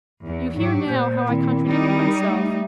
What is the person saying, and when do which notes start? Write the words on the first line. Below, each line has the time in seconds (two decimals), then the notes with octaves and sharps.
You hear now how I contradict myself.
0.23 E2
0.56 G#2 F#3 G4
0.89 A#2 C5
1.28 D#3 C4 E4
1.67 G3 D#4
2.25 A3